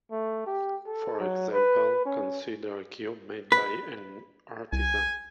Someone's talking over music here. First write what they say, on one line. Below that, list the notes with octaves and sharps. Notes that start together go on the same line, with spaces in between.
For example, consider a cube made by an artisan.
A3
G4
A4
F#3
B4
C#4
B4
C2 G#5